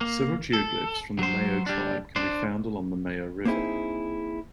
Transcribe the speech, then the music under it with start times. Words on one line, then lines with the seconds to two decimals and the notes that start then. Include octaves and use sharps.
Several geoglyphs from the Mayo tribe can be found along the Mayo River.
0.01 A#3
0.53 A4
1.19 F#3 C5
1.66 G3 D4
2.16 D4 C5
3.45 A#3 C4 D#4 E4 G#4